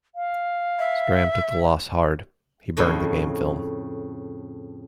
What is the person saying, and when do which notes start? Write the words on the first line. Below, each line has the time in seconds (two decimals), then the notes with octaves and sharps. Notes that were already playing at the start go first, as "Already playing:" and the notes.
Stram took the loss hard; he burned the game film.
0.15 F5
0.79 E5
2.77 F2 A2 C#3 D#5